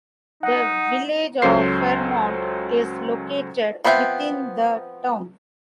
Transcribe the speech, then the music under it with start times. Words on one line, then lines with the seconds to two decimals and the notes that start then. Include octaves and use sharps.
The village of Fremont is located within the town.
0.43 D#4 F#5
1.42 C#2 F#3 C#4 A4 C5 C7
3.84 F3 B3 C4 E5 G5